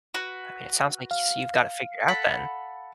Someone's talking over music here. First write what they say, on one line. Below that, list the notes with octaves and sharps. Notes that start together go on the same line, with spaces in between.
I mean, it sounds like you see you've gotta figure out then.
F#4 B4
F5
A4 F#5 B5